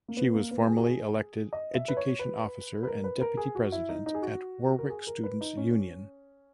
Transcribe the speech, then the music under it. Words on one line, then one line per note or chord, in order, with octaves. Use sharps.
She was formerly elected Education Officer and Deputy President at Warwick Students’ Union.
A#3
B3
A#3
B3
G#4
F#4
G#4
D#5
E5
B4
C#5
B4
B4
A#4
B4
A#4
G#4
F#4
E4
D#4
D#4
G#4
F#4
A#4
G#4
A#4
B4
D#4
C#4